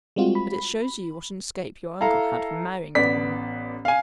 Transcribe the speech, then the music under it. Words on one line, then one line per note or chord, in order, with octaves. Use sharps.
But it shows you what an escape your uncle had from marrying the woman.
G3 G#3 C4 F4 F#4
B5
E4 A4 F5 A#5
A1 B3 D5 B6
F5 G#5